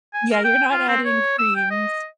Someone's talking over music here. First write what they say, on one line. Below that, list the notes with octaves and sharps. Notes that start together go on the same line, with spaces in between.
Yeah, you're not adding creams.
G#5
A#4
G5
F4
C4
C#5
E6
G5
D#5